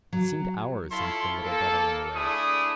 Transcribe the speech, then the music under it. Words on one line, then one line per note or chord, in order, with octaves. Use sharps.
It seemed hours since the little brother went away.
F#3
E4 F4 A4 C#5 C6
A#3 A4
A3 D4 E4 G#4 D#6